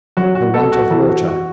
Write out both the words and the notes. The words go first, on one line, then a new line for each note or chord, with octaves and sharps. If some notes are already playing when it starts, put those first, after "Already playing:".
"The want of water."
F#3 F#4
F#4
A4
F#4
E3 A4
F#4
F#4